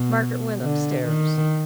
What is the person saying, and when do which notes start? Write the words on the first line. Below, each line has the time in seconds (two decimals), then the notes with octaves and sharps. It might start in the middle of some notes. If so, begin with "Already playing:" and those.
Margaret went upstairs.
Already playing: B2
0.62 D3
1.05 D#3